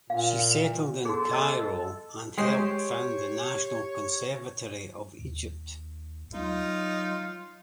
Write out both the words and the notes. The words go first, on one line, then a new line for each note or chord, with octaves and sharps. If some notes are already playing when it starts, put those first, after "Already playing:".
She settled in Cairo and helped found the National Conservatory of Egypt.
A#2 F5
F#4 G#4 A4
D#5 E6
G#3 G4 C5 C#5 G5 C7
D#2
F#3 D#4 F4